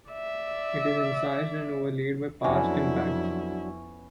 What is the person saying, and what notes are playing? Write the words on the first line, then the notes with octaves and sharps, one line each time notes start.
It is incised and overlaid by past impacts.
D5 E5
F2 F#3 B3 C#4 D4 E4 F#4